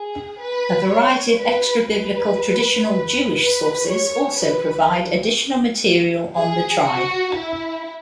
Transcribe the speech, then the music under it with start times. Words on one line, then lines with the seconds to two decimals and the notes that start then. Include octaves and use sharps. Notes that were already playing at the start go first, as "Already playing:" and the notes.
A variety of extrabiblical traditional Jewish sources also provide additional material on the tribe.
Already playing: G#4
0.39 B4
0.89 C#5
1.38 B4
1.88 B4
3.38 B4
3.88 C#5
4.37 B4
6.36 G#4
6.86 F#4
7.36 E4